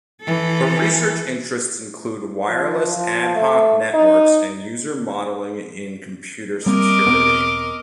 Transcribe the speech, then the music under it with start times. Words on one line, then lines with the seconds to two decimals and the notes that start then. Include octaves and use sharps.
Her research interests include wireless ad hoc networks and user modeling in computer security.
0.22 E3 A4
2.48 F3
2.95 F3
3.35 A3
3.94 D#4
6.66 G3 A#3 C4 A#4 D#5 D6
7.06 E1 B3 C4